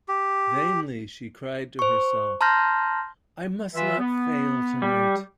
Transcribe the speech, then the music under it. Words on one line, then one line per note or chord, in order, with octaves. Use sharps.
Vainly she cried to herself, "I must not fail tonight."
G4
C5 C#6
A5 A#5 C6 F6 G6 A#6
E3 F4 E5
B3
G3